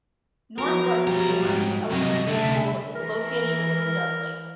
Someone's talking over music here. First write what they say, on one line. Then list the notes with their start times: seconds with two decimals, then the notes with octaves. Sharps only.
Northwest Laurens Elementary School is located in Dudley.
0.59 F3 F#3 B3 A#4
1.07 B1 G3 A#4
1.43 G#2
1.90 G2 C3 F#3 D#5
2.27 C2 D3 A3 E5
2.95 E3 A#4